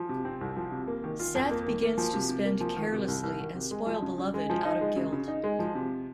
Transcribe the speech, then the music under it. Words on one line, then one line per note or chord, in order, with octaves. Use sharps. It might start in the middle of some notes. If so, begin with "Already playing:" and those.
Sethe begins to spend carelessly and spoil Beloved out of guilt.
Already playing: F3
C3
C4
C2
F3
C3
A#3
D#3
F4
F2
A#3
D#3
A#3
F3
C3
C3
A#3
F3
D#3
C3
C2
C2
D#3
C3
G#3
F3
C#3
C#3
G#3
F3
D#4
G#3
C#3
C#3
D#4
G#3
F3
C3